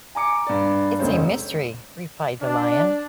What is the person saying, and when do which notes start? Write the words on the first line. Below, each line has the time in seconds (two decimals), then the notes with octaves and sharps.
"It's a mystery," replied the Lion.
0.15 G#5 A#5 D6 C#7
0.47 G2 D5
0.99 F1 C#3 G#3 C5 C#5
2.42 D4